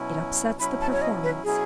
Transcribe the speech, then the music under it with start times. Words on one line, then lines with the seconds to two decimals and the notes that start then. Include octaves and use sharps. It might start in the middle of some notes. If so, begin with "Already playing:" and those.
It upsets the performance.'
Already playing: B2 F#3 C#4 E4
0.60 B2 F#3 C#4 E4 B5
0.81 A5
0.92 C#5
1.02 D#5
1.23 B4
1.44 B2 F#3 C#4 E4 G#4